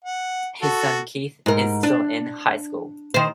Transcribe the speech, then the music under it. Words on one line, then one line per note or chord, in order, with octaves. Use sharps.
His son Keith is still in High School.
F#5
F#4 A4
G#2 A#4
D4
D#3 C5